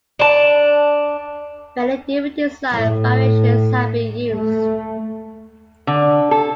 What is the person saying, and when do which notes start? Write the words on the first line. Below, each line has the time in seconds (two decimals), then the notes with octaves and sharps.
Many different design variations have been used.
0.19 D4 A5
2.75 A2
4.26 A3
5.87 D3
6.31 A4